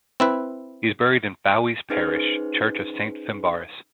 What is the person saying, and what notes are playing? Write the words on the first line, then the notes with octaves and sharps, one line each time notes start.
He is buried in Fowey's parish church of Saint Fimbarrus.
C4 E4 B4
C#4 D#4 G#4 B4 C5